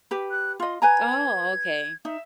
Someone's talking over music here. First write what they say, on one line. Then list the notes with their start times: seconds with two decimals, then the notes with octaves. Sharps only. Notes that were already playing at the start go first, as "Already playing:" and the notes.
Oh, okay.
0.11 G4 B4
0.30 F#6
0.60 F4 D#5 C6
0.82 B4 G#5 A#5 G#6
2.05 D#4 E5